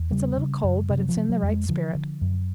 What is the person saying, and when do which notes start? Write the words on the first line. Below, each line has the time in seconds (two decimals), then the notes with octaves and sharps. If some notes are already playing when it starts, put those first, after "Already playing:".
It's a little cold, but it's in the right spirit.
Already playing: E2
0.11 C#3 G3
0.37 C#3
0.63 F#2
0.90 C3
0.98 F#3
1.09 F3
1.16 C3
1.29 F#3
1.43 F2
1.49 G#3
1.69 D3 F3
1.95 D3
2.21 F#2